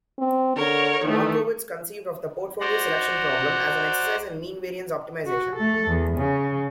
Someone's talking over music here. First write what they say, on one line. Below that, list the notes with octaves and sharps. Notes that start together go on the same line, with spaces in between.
Markowitz conceived of the portfolio selection problem as an exercise in mean-variance optimization.
C4
D3 A#4 C#5
D#3 E3 A3
F#4 C5 D5 F#5 A#5
F#4
A3 A4
E2
C#3